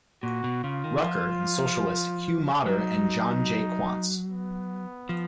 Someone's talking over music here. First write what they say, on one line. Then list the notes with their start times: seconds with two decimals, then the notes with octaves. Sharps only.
Rucker, and Socialists Hugh Motter and John J. Quantz.
0.23 A#2 F#4
0.44 B2
0.64 C#3 F4
0.84 D#3
1.04 F3
2.66 F#3 D#4
4.28 B3
5.09 F3